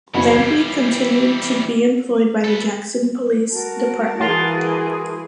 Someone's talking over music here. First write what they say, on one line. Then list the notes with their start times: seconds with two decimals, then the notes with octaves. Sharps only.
Lampley continued to be employed by the Jackson Police Department.
0.14 F#1 B2 C#4 F#4 B5
0.34 E3 G3 G#6 C7
2.44 A4 B4
3.50 F#4 A#4 A5
4.20 E3 F4 G#4